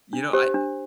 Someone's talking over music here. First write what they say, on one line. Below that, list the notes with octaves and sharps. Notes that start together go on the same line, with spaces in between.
You know, I, uh
D4
G4 C5
D4